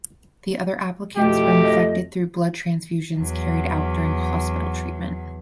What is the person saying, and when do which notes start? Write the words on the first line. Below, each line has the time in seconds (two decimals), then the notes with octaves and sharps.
The other applicants were infected through blood transfusions carried out during hospital treatment.
1.16 F2 B2 A3 G4 G5
1.58 D#5
3.17 E2 F#3